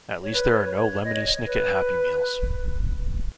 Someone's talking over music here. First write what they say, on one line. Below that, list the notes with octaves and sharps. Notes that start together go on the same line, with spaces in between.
At least there are no Lemony Snicket Happy Meals.
C#5
B4
B4
C#5
D#5
C#5
C#5
B4